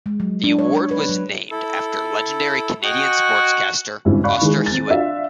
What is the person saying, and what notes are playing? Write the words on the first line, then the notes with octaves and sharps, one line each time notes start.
The award was named after legendary Canadian sportscaster Foster Hewitt.
G#3
F#3
D4
C#5
C#5
B4
F#3
E4 A4
F#4 D#5 G5 G#5
G#1 G2 C#3 C4 E4
D5 F5 B5 C#6 F#6
D#3 E3 G#3
C4 A6
D4 F4 E5 F5